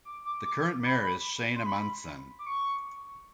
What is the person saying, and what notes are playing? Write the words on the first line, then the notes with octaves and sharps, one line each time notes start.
The current mayor is Shane Amundson.
D6
D6
D6
B5
C6
B5
D6
C#6